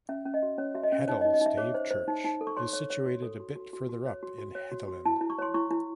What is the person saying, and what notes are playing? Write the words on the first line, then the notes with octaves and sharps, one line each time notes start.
Hedal stave church is situated a bit further up in Hedalen.
C#4 E5
C#4
D#5
F#4
C#4 C#5
F#4 E5
D#5
C#4
D#4 C#5
D#5
D#4
D#5
D#4
E5
G#4 C#5
C5
C5
D#4
D#4
A4
C#6
C#5 C6
C#5
C#5
F#4
A4
F#4
F#4
F#4
F#4
C#5
F#4
F#4
C#5
F#4
F#4
E4 A5
E4
C#6
C#5 C6
E4 C#6
E4